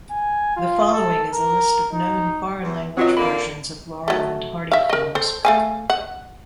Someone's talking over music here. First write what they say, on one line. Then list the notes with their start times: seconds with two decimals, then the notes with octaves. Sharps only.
The following is a list of known foreign-language versions of Laurel and Hardy films.
0.11 G#5
0.57 F4
0.93 A4
1.34 A#4
1.93 D#4
2.63 E2
2.97 E3 F#3 C4 F4 D#5
3.17 D3 A#3 B5
4.08 F#3 A3
4.72 E5 F5
4.89 A#4 D#5
5.15 A4 C5
5.45 A3 F5 G#5
5.90 F#5